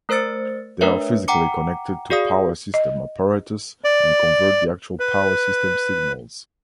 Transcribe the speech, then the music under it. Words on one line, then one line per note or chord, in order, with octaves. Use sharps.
They are physically connected to power-system apparatus and convert the actual power-system signals.
A3 A#4 C5 E6 A6 C#7
A3 D4 A#4 B4 C#5 E5
F#5 G5 A#5 D6 C#7
F#4 G#4 D5 F5 D#6
D#5
D5
B4